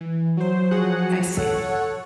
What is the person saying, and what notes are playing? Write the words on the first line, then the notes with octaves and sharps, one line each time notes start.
I see.
E3
F#3 C5
F3 F#3 F#4 G#4 F#5
A4 C#5 F#5